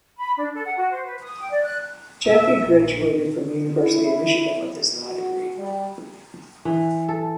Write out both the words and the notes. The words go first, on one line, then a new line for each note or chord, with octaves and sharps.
Chafee graduated from University of Michigan with his law degree.
B5
D4
A4
F#5
F#4
C5
B4
D#6
G5
D5
F#6
E5
A#1
E4
F#4
G3
E3
A4